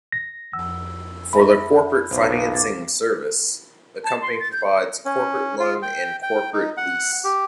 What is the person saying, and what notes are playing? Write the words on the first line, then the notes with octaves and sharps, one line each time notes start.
For the corporate financing service, the company provides corporate loan and corporate lease.
A#6
F2 F3 F#5 E6
A3 B3 E4 B5
B1 C#3 A#3 F4 C5
D6 G#6 A6
A5
C6
A6
G6
C#4
F4
G5
G5
D#4
F#5
G4